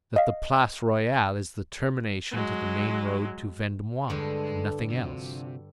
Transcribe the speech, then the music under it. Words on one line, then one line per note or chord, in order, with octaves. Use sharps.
"That the Place Royale is the termination to the main road to Vendomois, and nothing else."
D#5 F5
F#3 G#3
G2 D3 G#3 A4 B4
C3 F3 D4 F#4